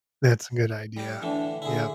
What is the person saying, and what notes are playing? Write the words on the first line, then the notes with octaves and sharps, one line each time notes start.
That's a good idea. Yep.
G3 G4
A2 D3 E3 D4
D3 E4 G#4